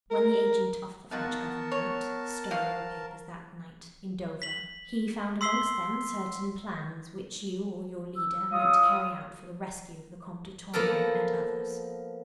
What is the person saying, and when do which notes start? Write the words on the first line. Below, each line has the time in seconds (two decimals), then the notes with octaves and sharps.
When the agent of the French Government stole your papers that night in Dover, he found amongst them certain plans, which you or your leader meant to carry out for the rescue of the Comte de Tournay and others.
0.11 A#4
1.11 B3 D#4 F4 F#4 A#4 A5
1.72 C#5
2.51 F3 F#4 F5
4.42 B6 F#7
5.41 C6 E6 B6 C7 G7
8.16 E6
8.51 F4 C#5 D#6
10.74 F3 A#3 B3 A4 A#4